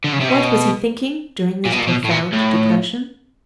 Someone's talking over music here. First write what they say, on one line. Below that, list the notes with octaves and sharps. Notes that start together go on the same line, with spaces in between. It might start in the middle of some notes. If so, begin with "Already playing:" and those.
Of what was he thinking during this profound depression?
D3
C#3
C3
B2
A#2
B2
A#2
B2
A2
A#2
A2